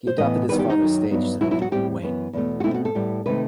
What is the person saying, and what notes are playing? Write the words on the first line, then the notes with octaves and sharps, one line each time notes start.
He adopted his father's stage surname, Wayne.
C5
A2 E3 B3 D#5
E2 D#3 G3 B3 B4
G4
D#4
F#2 D#3 F#3
G2 F#3 B3
B2 F#3 B3 E4
E4
F#4
A2 G3 C4 G4
F#2 E3 B3
E2 B2 A3
F#4
B2 A3 C4 E4
F#4
A4
A2 G3 B3
C3 D#3 A3 B4